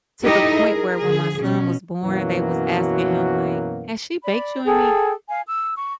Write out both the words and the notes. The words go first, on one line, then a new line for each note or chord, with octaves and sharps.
to the point where when my son was born, they was asking him like, "Has she baked you any
D#4 E4 G4 A4 D#5
G#4 A#4
D3 F3 G#4
B2 C#4
F#2 B2 E3 F#3 A#3 F#4
D5 B5
G#4 A4 G5
F5 G#5
E6
C#6